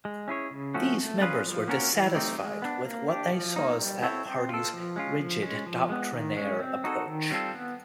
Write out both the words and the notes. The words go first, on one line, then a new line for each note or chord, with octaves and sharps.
These members were dissatisfied with what they saw as that party's rigid, doctrinaire approach.
G#3
C#4 E4 G#4 C#5
C#3
F3 A3 C#4 F#4
A3
C#4 F4 G#4 B4
F3
A#3 C#4 F#4 A#4
E3
A3 C4 D#4 G4
G#3
B3 D4
A#3
D4 G4
F3
A#3 D#4
G3
C4 E4 A4 C#5
C4
F4 A4
F3
G#3 C#4 F4
F3
G#3 C#4
F3
G#3 B3
D#3
G#3 C#4
C4
D#4 F#4 A4
D#3
G3 C4 F4 A4
B3